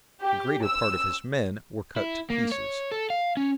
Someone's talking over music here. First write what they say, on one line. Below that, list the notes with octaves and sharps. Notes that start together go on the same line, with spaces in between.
The greater part of his men were cut to pieces.
G4
E6
E4
A#3
C#5
A4
F5
C#4